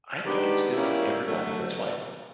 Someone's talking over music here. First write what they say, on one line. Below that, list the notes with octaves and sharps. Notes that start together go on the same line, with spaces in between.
I think it's good for everybody. That's why
D#3 G#3 B3 D4 G4
G3 A#3 C#4 E4
F#2 D3 F#3 A3